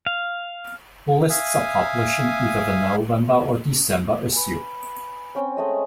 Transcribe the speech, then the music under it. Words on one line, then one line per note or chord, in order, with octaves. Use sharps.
Lists are published in either the November or December issue.
F5
E5 F5 G#5 D#6
B4 G#5
C4 C#4 G5
G#3 A3 D#5